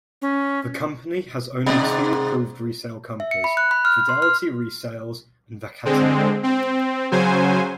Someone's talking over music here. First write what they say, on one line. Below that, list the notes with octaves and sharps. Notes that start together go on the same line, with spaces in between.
The company has only two approved resale companies, Fidelity Resales and Vacatia.
C#4
G#2 C3 D5
E5
C#7
B5
F#6
B5
F6
C6
F6
D3 G#3 C4
C4
C#3 F#3 C5 G#5